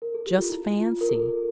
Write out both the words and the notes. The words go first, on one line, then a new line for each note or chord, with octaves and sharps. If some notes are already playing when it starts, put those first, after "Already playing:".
Just fancy!
A#4
A4
G4
F4
E4
F4
A#4
A4